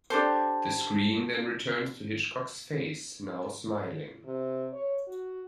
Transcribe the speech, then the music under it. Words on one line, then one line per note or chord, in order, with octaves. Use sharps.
The screen then returns to Hitchcock's face, now smiling.
D4 G4 A4 C5
C3
C#5
F#4